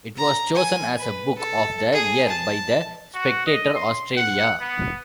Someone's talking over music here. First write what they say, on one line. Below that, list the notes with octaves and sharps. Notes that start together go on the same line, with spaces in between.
It was chosen as a Book of the Year by the "Spectator Australia".
A#5
G#5
B4
A4
G#4
A5
F#4
D#5
C6
F#5
B3